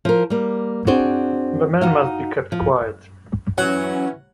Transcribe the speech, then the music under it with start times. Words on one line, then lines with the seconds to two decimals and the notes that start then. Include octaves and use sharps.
The man must be kept quiet.
0.05 F3 A#4
0.30 G3 A#3
0.87 C4 D4 F#4 G#4 C5
1.81 D#4 F#4 F5
2.52 F3
3.58 E3 F#3 C#4 F#5